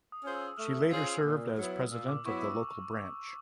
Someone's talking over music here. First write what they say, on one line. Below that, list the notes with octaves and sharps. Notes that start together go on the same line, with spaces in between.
She later served as president of the local branch.
D#6
C#4 F4 G#4 C5
E6
A3 F6
C#4 F4 G#4 C5
A#2
F#3 B3 E4
A#2 E6
D6
F#3 B3 E4 C#6
E6